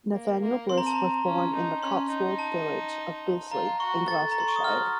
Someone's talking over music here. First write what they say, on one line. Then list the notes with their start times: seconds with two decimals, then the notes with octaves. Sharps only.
Nathaniel Bliss was born in the Cotswolds village of Bisley in Gloucestershire.
0.13 A#3
0.41 A#3
0.69 C4 C6
0.78 A#5
0.87 A5
0.95 A#5
1.25 C#4
1.54 D#4
1.82 C#4 C6
2.10 D#4
2.39 A5
3.51 F4 A#5
3.80 F#4 C#6
4.08 A4 A6
4.32 A#5
4.40 C6
4.48 C#6
4.56 D#6
4.64 F#4 F6